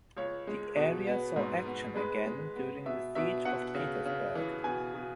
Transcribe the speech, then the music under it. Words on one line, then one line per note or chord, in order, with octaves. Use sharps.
The area saw action again during the Siege of Petersburg.
C#2 C#5
G#3
B2
B3
G#2
B3
G#3 B4
G#3
B3
B2 E5
B2 E5
B2 F#5
C#3
C#3
E3
B2 G#5
B2